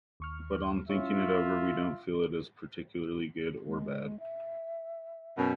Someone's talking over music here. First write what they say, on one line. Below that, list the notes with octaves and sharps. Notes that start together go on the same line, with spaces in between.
But on thinking it over, we don't feel it is particularly good or bad.
D#2 C#6 F6
C#4 E4 F4 E5 C#6
G#3
E5
F#2 B2